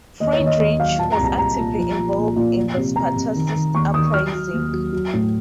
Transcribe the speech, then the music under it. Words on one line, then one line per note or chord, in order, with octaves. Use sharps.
Friedrich was actively involved in the Spartacist uprising.
D#2 D#5
C#5
D#3
D#5
D#2 D#5
F#3 F5
A#2 A5
A#5
C2
A#5
C2 A#5
A#2
F3
A#2
A#2
A#2
F3
C3
C3 A#5
C3
D#3
D#3
D#2 C#6
D#3 D#6
F#3 F6
F#3
D#2
F#3
F#3
A2